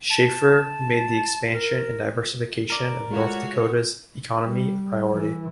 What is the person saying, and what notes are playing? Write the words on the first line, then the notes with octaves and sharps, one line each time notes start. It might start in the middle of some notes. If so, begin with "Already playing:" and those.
Schafer made the expansion and diversification of North Dakota's economy a priority.
A5
A#4
A#4 D5
G#3 A3 F4 F#4 C#5
G3
E3